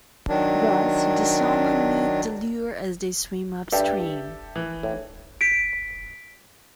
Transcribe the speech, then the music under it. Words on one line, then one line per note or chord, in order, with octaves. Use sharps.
Thus, the salmon meet the lure as they swim upstream.
D#3 F#3 D4
G2 G4 A4 E5
E3
A2
B6 D7